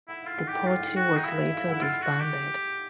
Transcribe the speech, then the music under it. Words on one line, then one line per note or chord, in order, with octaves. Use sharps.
The party was later disbanded.
E4 F#5
F4 F5
F#5
G4 G5
F4 F#5
F#5
F#4 G5
G5
D#4
E4 F5
E5
F5
E4 F#5
F4
F#4
G4